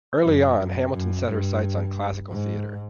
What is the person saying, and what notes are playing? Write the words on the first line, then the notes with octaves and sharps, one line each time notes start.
Early on, Hamilton set her sights on classical theater.
F#2
F#2
F#2
G2
G#2